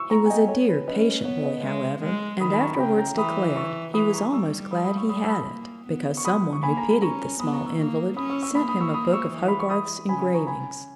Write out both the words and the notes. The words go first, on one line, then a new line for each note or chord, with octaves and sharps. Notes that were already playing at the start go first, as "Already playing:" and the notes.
He was a dear, patient boy, however, and afterwards declared he was almost glad he had it because some one who pitied the small invalid sent him a book of Hogarth's engravings.
Already playing: C#6 E6
B3 A#5 C#6
G#5
D#5 G5
C#5
B4
C#4 B4 D#5
B3 C#5
B4 D#5
G#3 C#5 E5
G#3
D#3 B5 D#6
B5
A#5 C#6
B5
C#3 G5 A#5
G5 A#5
E3 B5 D#6
C#6 E6
E3 B5 D#6
A#5 C#6
G3 C#6 E6
B5 D#6
B5 D#6
C#6 E6
G3 B5 D#6
E6
B5 D#6
A#3
B3
C#6
B5 D#6
C#6
A#3 G#5 B5
A#5
B5
C#4 A#5 C#6
B3 B5 D#6
A#5 C#6
C#6 E6
A#3 A#5 C#6
C#4 B5 D#6
C#6 E6
C#6 E6
A#3 B5 D#6
B5 D#6
C#6 E6
B5 D#6
C#6 E6
E3
B5
C#6
B5 D#6
C#3 G#5 B5
G#5 B5
A#5 C#6
C#3 G#5 B5